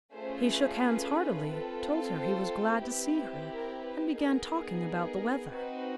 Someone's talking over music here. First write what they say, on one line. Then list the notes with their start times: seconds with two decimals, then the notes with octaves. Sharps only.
He shook hands heartily, told her he was glad to see her, and began talking about the weather.
0.13 A3 C#4 F4 G#4 C5
0.46 B4
0.80 B4
1.48 C4 F4 A4
2.15 C5
2.82 C4 E4 G4 B4
3.50 A#4
3.84 B4
4.17 B3 D#4 G#4 A#4
4.85 A#4
5.51 C4 D#4 F#4 B4